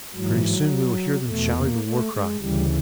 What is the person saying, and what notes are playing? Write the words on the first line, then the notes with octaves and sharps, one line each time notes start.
Pretty soon we will hear them shouting the war-cry.
G#2 E3 F#3
F#3
E2 B2 A3
A#3
A3
G#3
D2 C#3 E3 G3